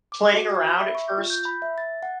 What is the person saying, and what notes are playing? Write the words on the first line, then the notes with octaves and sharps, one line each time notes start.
playing around at first.
D6
F#4
G#6
B5
E5
C#6
F4
G6
B5
E5
A6
F#5